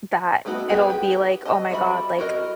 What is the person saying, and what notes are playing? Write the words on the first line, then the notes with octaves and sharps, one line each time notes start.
That it'll be like, "Oh my god," like,
G3 A3 B3 D#4 F#4
B3 G4 G#4 B4
G4
D#5 A5
G3 F#4 E5 B5
E4 F#4 A#4 D#5